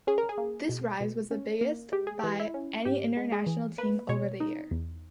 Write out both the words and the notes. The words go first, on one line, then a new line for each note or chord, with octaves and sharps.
This rise was the biggest by any international team over the year.
C#4 G#4
A#4
G#4
A#3
B2
B2
C#4
A#3
G#3 G4
G#4
E3 G4
E4
C#4
G#2 G4
G#3
G#4
E3
A#3 B4
B2 C#5
D#4
E2